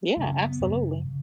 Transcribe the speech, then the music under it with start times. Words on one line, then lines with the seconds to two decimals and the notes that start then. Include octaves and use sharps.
Yeah, absolutely.
0.17 F#2 C#3 A3
0.32 C#4
0.46 B3
0.60 F#2 C#3
1.05 C#3